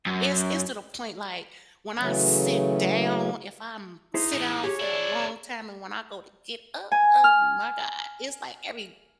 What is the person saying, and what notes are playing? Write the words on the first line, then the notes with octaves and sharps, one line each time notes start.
it's it's to the point, like, when I sit down if I'm sit down for a long time and when I go to get up, oh, my God, it's, like, every
F#2
C#3 E3 F#3 A3 C#4
D#4 E4 G#4 C5
A2 E3
G4 G#4 C#5
D4 E4 D5
G#5
F6